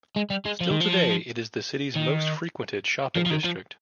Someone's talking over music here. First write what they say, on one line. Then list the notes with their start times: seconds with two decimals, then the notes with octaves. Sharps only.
Still today it is the city's most frequented shopping district.
0.16 G#3
0.30 G3
0.45 G#3
0.60 F3
0.71 D#3
0.81 F3
1.95 D#3
3.16 F3
3.26 F3
3.30 D#3
3.45 F3